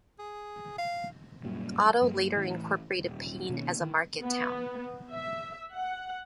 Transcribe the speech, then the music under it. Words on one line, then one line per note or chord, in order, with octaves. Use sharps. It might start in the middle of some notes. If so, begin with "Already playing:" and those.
Otto later incorporated Peine as a market town.
G#4
F5
F#2 A#2 G3
G2 F#3 A#3
A2 E3
D#1
B2 D#3 A#3 C#4
D#3
B3
E5
F#5